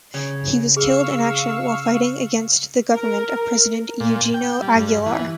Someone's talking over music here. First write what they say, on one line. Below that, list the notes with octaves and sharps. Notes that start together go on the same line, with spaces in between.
He was killed in action while fighting against the government of President Eugenio Aguilar.
C#3
G#4 F5 C#6 E6
A#4
A#2
G5
G3
G2
E3